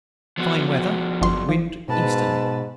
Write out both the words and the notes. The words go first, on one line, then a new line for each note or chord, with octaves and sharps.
Fine weather: wind easterly.
F3 B3 F#4
G1 F2 C6
F3
G#2 B2 B4 A5